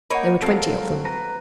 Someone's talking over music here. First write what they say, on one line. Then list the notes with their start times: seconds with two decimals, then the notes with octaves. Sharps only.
There were twenty of them.
0.10 A#3 D#4 C#5 F#5 B5
0.42 F#3 C4 A4 A#4 F5
1.05 B4 A#5